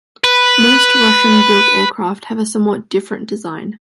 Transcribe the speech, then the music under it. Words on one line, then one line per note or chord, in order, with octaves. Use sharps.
Most Russian-built aircraft have a somewhat different design.
B4